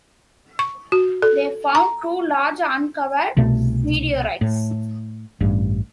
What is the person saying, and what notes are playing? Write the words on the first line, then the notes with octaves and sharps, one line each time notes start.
They found two large uncovered meteorites.
C#6
F#4
A4
A#5
C2 B2 A3
A2
A1 G2